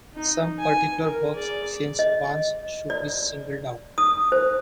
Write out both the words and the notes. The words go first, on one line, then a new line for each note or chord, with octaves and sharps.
Some particular works since Vance should be singled out.
D#4
G#5
A#4
G#4 D5
D#5
D5
D#6
C5